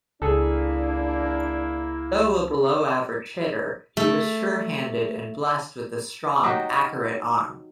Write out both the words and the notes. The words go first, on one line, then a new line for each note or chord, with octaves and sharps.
Though a below-average hitter, he was sure-handed and blessed with a strong, accurate arm.
C#2 A#3 D4 E4 G#4 A4
A3
F#3 D#4 F#4 G4